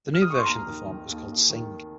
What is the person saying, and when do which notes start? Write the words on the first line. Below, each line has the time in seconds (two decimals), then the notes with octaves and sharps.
The new version of the format was called Sing!
0.14 F6
0.22 D#6
0.30 C#6
0.37 C6
0.46 D#2 A#5
0.67 D#3
0.87 D#3
1.08 D#2
1.28 D#2
1.50 D#3